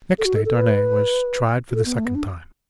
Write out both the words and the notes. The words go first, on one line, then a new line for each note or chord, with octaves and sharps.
Next day Darnay was tried for the second time.
A4
F#4
A4
A4
B4
F#4
A4
B3
A3
B3
D4